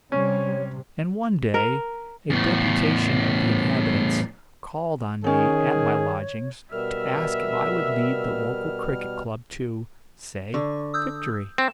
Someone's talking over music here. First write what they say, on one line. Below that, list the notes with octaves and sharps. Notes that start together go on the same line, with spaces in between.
And one day a deputation of the inhabitants called on me at my lodgings to ask if I would lead the local cricket club to, say, victory.
C3 G3 C#4 C#5
A#4
E2 A2
D#3 C#4 D#4 G#4 C#5
B2 G3 A#4 E5 F6
D3 C#6
D#6 E6 G6
C4 E7